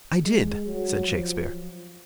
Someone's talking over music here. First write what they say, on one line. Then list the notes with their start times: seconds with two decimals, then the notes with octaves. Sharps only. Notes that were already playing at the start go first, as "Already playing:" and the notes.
"I did," said Shakespeare.
0.25 G#3
0.66 F#3
1.08 F3